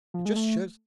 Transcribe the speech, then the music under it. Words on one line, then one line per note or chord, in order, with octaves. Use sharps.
It just shows.
F3
G#3
A3